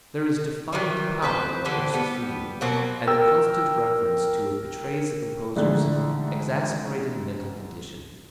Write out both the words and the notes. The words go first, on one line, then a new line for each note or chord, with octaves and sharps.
There is defiant power in the first theme, and the constant reference to it betrays the composer's exasperated mental condition.
D#3 E3 G3
C4 B4 C5
D3 E3 G4 A4
G3 B3
B2 F#3 A#3 C4
A#4 G5 E6
A#1 G#2 D3 E3 A3 F#6